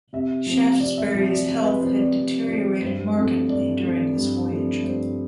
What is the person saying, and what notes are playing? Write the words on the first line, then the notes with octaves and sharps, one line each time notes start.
Shaftesbury's health had deteriorated markedly during this voyage.
C3 E5
F3 C4
C3 D5
E5
F3 C4 E5
D5
C3
B4
F3 C4 C5
D5
C3
F3 C4
G2 C5
F3 A3 C4
G2 D5
F3 A3 C4
G2
F3 A3 C4
G2 C5